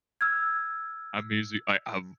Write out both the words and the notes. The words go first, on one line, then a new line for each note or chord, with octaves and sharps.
I musi I I've
E6 F6 G#6